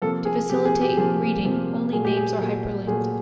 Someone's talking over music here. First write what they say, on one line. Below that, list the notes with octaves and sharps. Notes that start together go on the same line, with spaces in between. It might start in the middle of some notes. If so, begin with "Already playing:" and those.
To facilitate reading, only names are hyperlinked.
C3 F3 A#3 A4
G#4
C3 F3 A#3 G4
G#4
G4
C3 F3 A#3 G#4
C3 F3 A#3
A#2 F#3 A3 G#4
G4
G#4
A#2 F#3 A3
A#2 F#3 A3 G#4